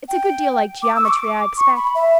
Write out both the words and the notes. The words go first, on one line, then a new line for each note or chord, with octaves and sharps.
It's a good deal like geometry, I expect.
G5
D6
E6
C#6
D6
C#6
B5
E5